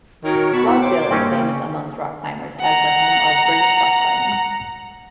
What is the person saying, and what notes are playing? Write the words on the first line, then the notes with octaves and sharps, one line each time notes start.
Wasdale is famous amongst rock climbers as the home of British rock climbing.
D#3 F#4 A#4 C#5
B2 A5 B5 C#6
C4 E4 F#5 B5 E6
C5 C#5 D6
G2 A#3 C4 C#4
C#3 G3
F#5 A#5